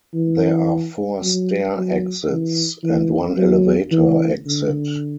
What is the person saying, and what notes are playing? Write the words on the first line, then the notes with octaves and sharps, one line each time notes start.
There are four stair exits and one elevator exit.
E3
F#3
F#3
E3
E3
F#3
E3
D3